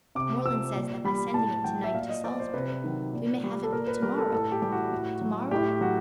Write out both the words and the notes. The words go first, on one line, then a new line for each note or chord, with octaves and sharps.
Morland says that by sending it tonight to Salisbury, we may have it tomorrow. Tomorrow?
C3 D6
F3 E6
A#2
G3 B5
A2 A5
F#3 G5
E5
A#2 F5
D#5
F3 D5
C5
C3 B4
D#3 F#3
A#2
G3
A4
A#2 A#4
B4
G3 A#4
A4
A2 A4
G4
E3 G3 G4
F#4
A2
F#3
A2 G4
F#3 F#4